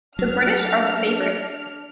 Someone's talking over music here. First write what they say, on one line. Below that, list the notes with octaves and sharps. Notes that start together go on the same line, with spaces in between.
The British are the favorites.
F#3 D4 F6